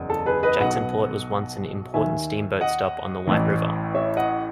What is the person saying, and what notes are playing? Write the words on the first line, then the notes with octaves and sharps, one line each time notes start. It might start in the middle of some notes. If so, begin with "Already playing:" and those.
Jacksonport was once an important steamboat stop on the White River.
Already playing: F#1 E2 C#3
A4
G#4 B4
B4 D#5
B1 B2 D#5 F#5
D#2 D#3 E5 G#5
D#5 F#5
A1 A2 E3
C#5 E5
D#5 F#5